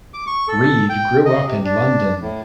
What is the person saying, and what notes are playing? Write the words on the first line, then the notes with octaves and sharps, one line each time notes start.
Reid grew up in London.
D6
C#6
A4
G5
D#5
C3
D4
A2